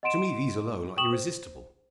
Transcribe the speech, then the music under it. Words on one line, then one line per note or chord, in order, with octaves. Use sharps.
To me these alone are irresistible.
D#5 F#5 C6 D7 E7
G5 C#6 D#6 E7 F#7
C5